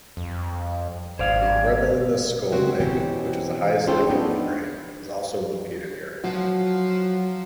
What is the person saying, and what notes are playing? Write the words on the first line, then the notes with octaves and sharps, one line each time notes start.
The Brebeneskul Lake, which is the highest lake in Ukraine, is also located here.
F2
G#1 C5 D5 F5 G#6
C#3 F#3 G#3 C4 F#4 G4
B2 E3 C4 C#4 G4
C#4 F4 G#4 A4 C5 G5
A3 B3 D4 D#4
F3 F#3 F#4 C5